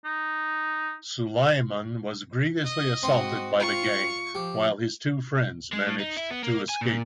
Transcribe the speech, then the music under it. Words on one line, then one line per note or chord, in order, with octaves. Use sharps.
Sulaiman was grievously assaulted by the gang while his two friends managed to escape.
D#4
D#5
G#2 C4 F#4 C6
F4 C#6
F3 G4
G#3
A2
D#4
E4
B3
A#3
G#5
A#2